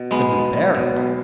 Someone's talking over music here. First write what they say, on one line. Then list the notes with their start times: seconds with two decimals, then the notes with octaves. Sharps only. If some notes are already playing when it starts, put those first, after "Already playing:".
"To be a baron."
Already playing: B2
0.11 B1 G#3 B3
0.32 B2
0.53 B1
0.75 B2
0.96 B1